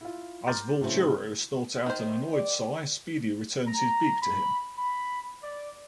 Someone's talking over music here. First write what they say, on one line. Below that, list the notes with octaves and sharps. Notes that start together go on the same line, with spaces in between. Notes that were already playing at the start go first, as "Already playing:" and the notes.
As Vulturo snorts out an annoyed sigh, Speedy returns his beak to him.
E4 F4
A#5 C6 D6 F6 G6 A6
A2 C#3 F#3 A3 C4 E4
D#3 C5
D5
A#5
B5
B5
D5